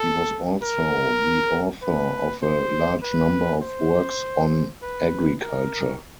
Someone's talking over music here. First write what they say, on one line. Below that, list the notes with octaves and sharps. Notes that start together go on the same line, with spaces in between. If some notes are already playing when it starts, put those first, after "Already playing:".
He was also the author of a large number of works on agriculture.
Already playing: A4
A#4
B4
C5
B4
C5
B4
A#4